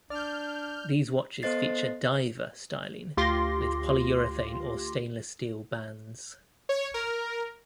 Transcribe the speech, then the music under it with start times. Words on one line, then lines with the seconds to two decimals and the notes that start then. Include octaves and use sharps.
These watches feature "diver" styling with polyurethane or stainless steel bands.
0.10 D4 D5 F6 G6
1.42 B3 A4 C5 D#5 A6 C7
3.17 D2 F4 G4 C6 D6 A#6
6.69 C#5
6.94 A#4